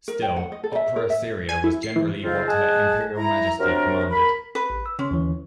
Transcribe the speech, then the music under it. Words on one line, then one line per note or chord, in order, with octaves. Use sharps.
Still, opera seria was generally what her imperial majesty commanded.
A#4
G5
F#5
D#5
A4
E5
A#4
E5
G#5
E4
C7
E3
F2 G#2 C#3 C4 F4
G#3 G#4 D#5 F#5 G#5 A5
E4 A#5
C3 F#3 D4 A#4
A#4 B5
B4
A1
E6
C#3 C#4 C6
D#2 D3 E3